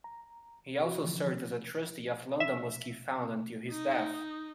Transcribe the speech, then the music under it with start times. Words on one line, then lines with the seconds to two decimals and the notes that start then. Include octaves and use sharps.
He also served as a trustee of the London Mosque Fund until his death.
0.04 A#5
0.84 F#4
1.03 D3 E3 F3
2.40 E5
3.71 D#4